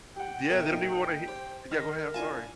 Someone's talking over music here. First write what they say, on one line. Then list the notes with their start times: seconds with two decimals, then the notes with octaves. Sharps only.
Yeah, they don't even want to hit yeah, go ahead, I'm sorry.
0.16 G4 F#5 G5
0.50 B2 A4 A#4 C#5 E5
0.70 A#2 D#4 A#4
1.28 G4 C5
1.72 D#3 A#4 F6 A#6
2.14 D4 E4 F4 G#5 A5